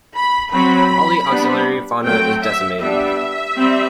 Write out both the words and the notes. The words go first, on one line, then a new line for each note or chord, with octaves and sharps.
All the auxiliary fauna is decimated.
B5
F#3 C4 B5
G3 B3 D4
F#3 A3 C4 G5
E5
G3 B3 D4 E5
G3 C4